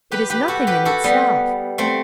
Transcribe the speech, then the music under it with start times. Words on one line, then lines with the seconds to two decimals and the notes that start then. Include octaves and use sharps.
It is nothing in itself.
0.11 G4 B4
0.30 G4 B4
0.48 F#4 A4
0.67 G4 B4
0.85 F#4 A4
1.04 G3 B3
1.78 A3 C4